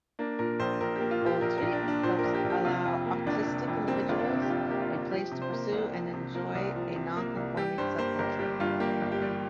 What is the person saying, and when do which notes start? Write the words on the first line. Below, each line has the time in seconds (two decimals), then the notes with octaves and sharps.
Autreat helps allow autistic individuals a place to pursue and enjoy a nonconforming subculture.
0.19 A#3 D4
0.39 A#2 A#4
0.59 A#1 C5
0.81 A#1 A#4
0.96 A#3 G4
1.11 F4
1.21 A#2 G4
1.41 A#1 A#4
1.58 A#1 A#4
1.73 D4
1.83 A#3
1.88 D4
2.03 A#2 C5
2.19 A#4
2.24 A#1
2.35 G4
2.44 A#1
2.50 G4
2.65 C3 F4
2.85 F2
3.06 A#3
3.26 G1 D4
3.47 C3
3.67 F2
3.88 A#3 C4
4.09 G1 F4
4.19 D4
4.29 C3
4.42 G4
4.50 F2 F4
4.70 A#3 G4
4.81 F4
4.90 G1
5.11 F3 G4
5.32 C3
5.42 C5
5.52 A#3
5.72 C2
5.93 F3
6.14 C3
6.35 A#3 A#4
6.55 C2
6.75 F3
6.96 C3
7.16 A#3
7.37 C2
7.57 G3 G4
7.78 G2 C5
7.98 A#3 C5
8.19 G1 A#4
8.39 G3 G4
8.60 G2 F4
8.80 A#3 G4
9.01 G1
9.12 G4
9.22 G3